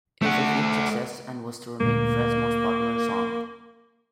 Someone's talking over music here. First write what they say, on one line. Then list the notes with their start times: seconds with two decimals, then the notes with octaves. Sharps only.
It was a huge success and was to remain Fred's most popular song.
0.22 A3 F#5
1.80 D2 A#2 G#3 A#3